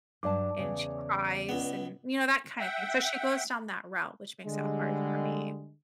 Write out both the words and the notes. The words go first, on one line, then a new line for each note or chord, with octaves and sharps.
and she cries and, you know, that kinda thing. So she goes down that route, which makes it hard for me.
G2 F#3 D5 A5 D6
E2 C#3 C#5
C#2 B3
E5 F#5 G5
D3 G3 G#3